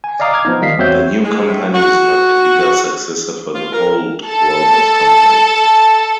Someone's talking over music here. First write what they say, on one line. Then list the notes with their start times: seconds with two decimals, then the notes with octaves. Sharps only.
The new company is not a legal successor for the old Waldorf company.
0.04 G#5
0.20 D5 D#5 F5 A#5 D6 D#6
0.33 D6 F6 G#6
0.45 F3 B3 D#4
0.61 D#3 G3 D#5 F5 B6 C7
0.78 E2 C4 F#4 C#5 E5 G6
1.23 G#3
1.47 A2
1.75 F#4
3.54 F4
3.72 A#4
4.26 A4 A5